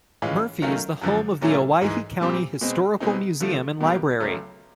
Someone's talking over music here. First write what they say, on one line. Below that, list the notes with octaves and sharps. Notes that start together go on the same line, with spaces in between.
Murphy is the home of the Owyhee County Historical Museum and Library.
A2 E3 G#3 C#4 F4
D#3 F#3 A3 C#4 F4
F#2 D3 F3
A#2 F#3 A3 C#4 E4
G#2 E3 G#3
A#2 G3 C4
B2 G#3 C4
B2 G#3 C4 D#4
D3 F3 A3
B2 G3 A#3
C#2 C#3 F#3 A3